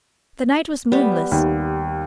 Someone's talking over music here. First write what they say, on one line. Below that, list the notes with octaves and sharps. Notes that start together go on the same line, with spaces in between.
The night was moonless.
G3 B3
D#2